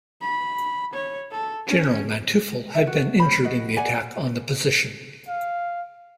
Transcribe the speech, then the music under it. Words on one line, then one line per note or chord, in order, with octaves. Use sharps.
General Manteuffel had been injured in the attack on the position.
B5
C#5
A4
C#4
A4 E5
F#4
C#4 C5 B5
F#4 B4 D#5 F#5
D5 F#5 G#5
F5